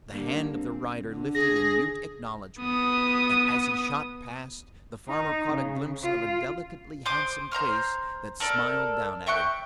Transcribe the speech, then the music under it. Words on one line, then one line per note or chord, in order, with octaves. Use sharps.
The hand of the rider lifted in mute acknowledgment, and as he shot past, the farmer caught a glimpse of a delicately handsome face that smiled down at him.
D3 G3 A#3
C4
D3
G#4 A#6
B3 D#6
D#4
C#3
F4
C5 C6 D6 D#6
C5 A#5 C6 F6
A4 A#4 D5
E5 G5 C#6 F#6